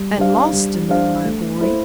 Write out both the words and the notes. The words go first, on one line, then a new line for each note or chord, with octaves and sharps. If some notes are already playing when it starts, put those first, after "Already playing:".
"And lost in them, my boy."
Already playing: G3
D4 G4 C5 F5
G3
D4 G4 C5 F5
A3
E4 A4 C5